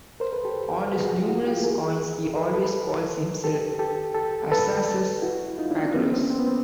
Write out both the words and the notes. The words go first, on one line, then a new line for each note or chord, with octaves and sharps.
On his numerous coins he always calls himself "Arsaces Pacorus".
A#4 C5
A4 B4
G4 A4
F#4 G#4
F#4 G#4
F4 G4
E4 F#4
F4 G4
G#4 A#4
A4 B4
A4 B4
G4 A4
G4 A4
G4 A4
A4 B4
E4 F#4
D#4 F4
D4 E4
C4 D4
B3 C#4
A#3 C4
C4
B3
A#3 C4